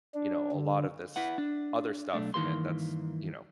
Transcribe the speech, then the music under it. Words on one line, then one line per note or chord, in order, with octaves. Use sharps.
you know, a lotta this other stuff in it that's, you know.
D4
D3
E4 B4 F#5
D4
B1 F2 A3 D4
G2 D#3 E3 A#3 C6